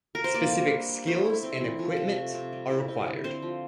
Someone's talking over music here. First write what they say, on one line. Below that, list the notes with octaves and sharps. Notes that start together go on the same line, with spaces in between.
Specific skills and equipment are required.
A#4
C5
A#3 D5
G3
D4
G3
A3 C5
E4
C4
E3
F3
C3
A3
C3
G3
E4
C4
D3
C4 C5
F3